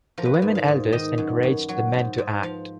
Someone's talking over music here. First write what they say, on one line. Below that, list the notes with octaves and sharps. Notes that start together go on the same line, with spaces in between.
The women elders encouraged the men to act.
F3 A#4
B4
A#4
G#2
F5
G#2
D#3 D#5
F#2
F#2
F#3
G#2
G#2
F3 F5